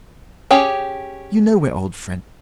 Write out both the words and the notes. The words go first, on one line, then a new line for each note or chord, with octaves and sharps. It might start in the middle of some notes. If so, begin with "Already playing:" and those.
You know we are old friends.
C#4 G4 G#4 G5